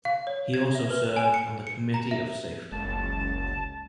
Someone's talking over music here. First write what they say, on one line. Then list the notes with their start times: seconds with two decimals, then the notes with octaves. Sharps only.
He also served on the Committee of Safety.
0.05 F5
0.27 C#5
0.54 G#6
0.75 E5
0.90 B4
1.16 G#5
1.34 C#7
1.67 C#7
1.94 A#5
2.11 E5
2.72 F#1 C#2 G#3 C#4 A5